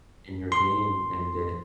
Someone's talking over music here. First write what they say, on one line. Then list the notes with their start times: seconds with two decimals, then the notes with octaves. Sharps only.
in your game, and it
0.52 C6